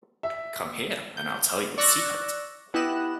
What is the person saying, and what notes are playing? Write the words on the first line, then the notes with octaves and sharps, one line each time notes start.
Come here and I'll tell you a secret.
E5
G6
D5 C#6 E6 F#6 A#6
B3 E4 G4 D#5 F#6 E7